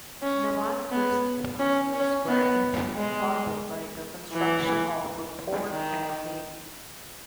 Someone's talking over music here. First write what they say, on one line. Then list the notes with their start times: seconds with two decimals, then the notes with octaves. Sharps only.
Nawanagar's finances were improved further by the construction of a port at Bedi.
0.23 C#4
0.90 B3
1.59 C#4
1.94 C#4
2.28 B3
2.96 G#3
4.32 E3
5.70 D#3